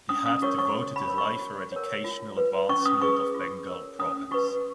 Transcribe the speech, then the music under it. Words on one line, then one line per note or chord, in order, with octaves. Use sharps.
He had devoted his life for educational advancement of Bengal province.
C#4 D#6
D#6
F#4 A#4 C#5 C#6
C#6
F#4
B5
A#4 C#5
C#6
F#4
A#4 C#5
F4
B4
C#4 C#6
D#6
G#4 B4 C#6
F4
A#4 C#5
C#4 D#6
F#4 B4 C#6